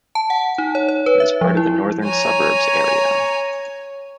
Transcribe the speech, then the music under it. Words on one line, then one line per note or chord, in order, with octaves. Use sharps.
It is part of the Northern Suburbs area.
A5
F#5
D#4
C#5
C#5
B4
E5
F3
E4
C#5 G#5 A#5